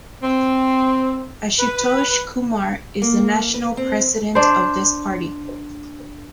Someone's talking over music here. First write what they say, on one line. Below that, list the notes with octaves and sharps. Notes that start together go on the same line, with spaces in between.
Ashutosh Kumar is the National president of this party.
C4
B4
A#3
B4
C4
D4 C5